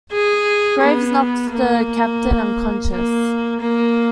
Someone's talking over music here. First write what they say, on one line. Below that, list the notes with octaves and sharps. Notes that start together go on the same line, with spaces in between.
Graves knocks the captain unconscious.
G#4
B3
A#3
A#3
A#3